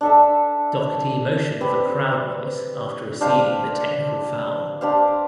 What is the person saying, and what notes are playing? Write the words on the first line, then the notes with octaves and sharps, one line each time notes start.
Doherty motioned for crowd noise after receiving the technical foul.
D4 A4 E5
C4 G4 B4
D4 G4 C5 F5
D4 G4 C5 F5